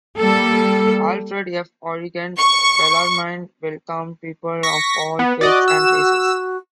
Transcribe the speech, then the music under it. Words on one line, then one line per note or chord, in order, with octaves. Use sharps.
Alfred F. Horrigan, Bellarmine welcomed people of all faiths and races.
G3 A#3 A4
C#6
C#6 A#6 B6
B3
F#4 D5 D#5
E6 E7